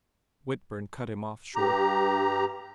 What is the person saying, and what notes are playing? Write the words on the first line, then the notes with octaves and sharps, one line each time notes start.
Whitburn cut him off short.
G2 G4 A#5